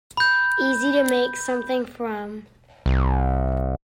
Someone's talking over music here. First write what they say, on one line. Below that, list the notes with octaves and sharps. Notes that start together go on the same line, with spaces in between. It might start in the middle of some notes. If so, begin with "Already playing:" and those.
Easy to make something from.
B5 G6
C2